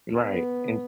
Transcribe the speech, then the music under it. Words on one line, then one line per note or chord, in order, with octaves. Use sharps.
Right, and
B3